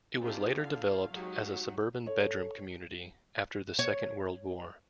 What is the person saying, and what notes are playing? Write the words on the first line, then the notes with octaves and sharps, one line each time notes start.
It was later developed as a suburban bedroom community after the Second World War.
C4 D4 D#4 F4 G4 G#4
D3 F4 F5
F#3 G#3 D#4 F#4 G4
A4 C#5
C#5